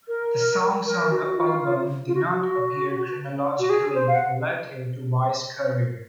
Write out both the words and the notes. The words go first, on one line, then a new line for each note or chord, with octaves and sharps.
The songs on the album do not appear chronologically relative to Vai's career.
A#4
A#4
F#4
F4
F4
F#4
F#4
F#4
G#4
C5
F5
F#5